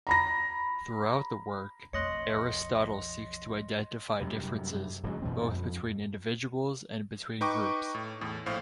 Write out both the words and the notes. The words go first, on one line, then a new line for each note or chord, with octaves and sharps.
Throughout the work, Aristotle seeks to identify differences, both between individuals and between groups.
A#5 B5 A#6
B1 F2 C#5 D#5 C6 F#6 A#6 C#7
F#2 C3 G3
D1 F#2 F#3 G#3
F#2 B2 E3 C4
F2
D#4 B4 D#5 G5 C#6 D6
A2
E2 A2
A#1 A2 C5 F5